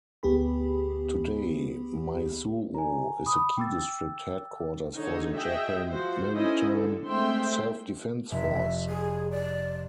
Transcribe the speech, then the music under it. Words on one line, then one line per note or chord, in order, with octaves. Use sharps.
Today, Maizuru is a key district headquarters for the Japan Maritime Self-Defense Force.
D2 B3 G4 G#4 B5
G#5 A#5
B5 D6 D#6
G5 D6 E6 A6
D3 D#4 C#5
F#4 G#4 D#5 E5 G5
F3 F#4 C5
C#4 E4 A4 C5 D#5 G#5
D3 A4
G#3 A3 C4 E5 G5 C6
F1 E5
G#4
D5